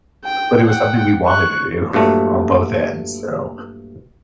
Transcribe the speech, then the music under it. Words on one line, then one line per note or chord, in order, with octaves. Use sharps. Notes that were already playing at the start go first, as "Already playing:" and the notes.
but it was something we wanted to do on both ends, so
G5
F#5 G5
C#6 F#6
G2 A#2 F#3 A3